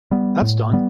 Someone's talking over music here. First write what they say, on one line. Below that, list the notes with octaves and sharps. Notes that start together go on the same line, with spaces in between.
That’s done.
G3 B3
A2
G3 B3